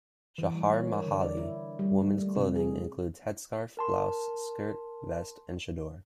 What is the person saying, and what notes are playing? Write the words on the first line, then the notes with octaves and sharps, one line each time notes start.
Chaharmahali women's clothing includes head scarf, blouse, skirt, vest and Chador.
E3
G3
C#5
A#4
D3
D5
E4
G3
A3
A3
C3
G#4
A#4 A5 C6